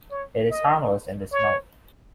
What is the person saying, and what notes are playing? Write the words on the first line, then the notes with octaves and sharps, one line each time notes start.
It is harmless in this mode.
C#5
D#5
C#5